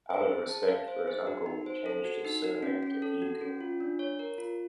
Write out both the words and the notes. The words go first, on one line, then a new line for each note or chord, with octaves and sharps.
Out of respect for his uncle he changed his surname to Eger.
C5
G#4
A5
F5
C5
G#4
F#4
D#4
C5
A4
F#4
D#4
F#4
C#4
C#4
A4
F#4
C#4
F4
D4
C#5
A#4
F4